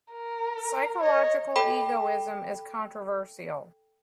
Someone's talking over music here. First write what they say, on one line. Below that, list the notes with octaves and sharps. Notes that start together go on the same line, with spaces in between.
Psychological egoism is controversial.
A#4
C#5 D#5
A4 G5 B5